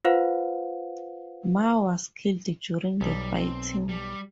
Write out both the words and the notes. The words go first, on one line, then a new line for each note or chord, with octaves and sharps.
Ma was killed during the fighting.
F4 B4 C5 F5 F#5
B1 G3
C4
G3